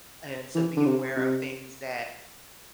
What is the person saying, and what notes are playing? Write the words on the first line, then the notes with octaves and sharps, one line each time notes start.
and to be aware of things that
E3
D3
C3
C3